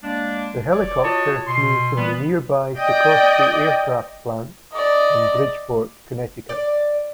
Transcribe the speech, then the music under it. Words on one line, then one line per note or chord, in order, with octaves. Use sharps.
The helicopter flew from the nearby Sikorsky Aircraft plant in Bridgeport, Connecticut.
G#3 A#3 D4
C#5 D5
F4 F#4 C#5 D#5 A5
B2 C6
E3 G3 B3
D5 D#5 G5
D5 D#5
D5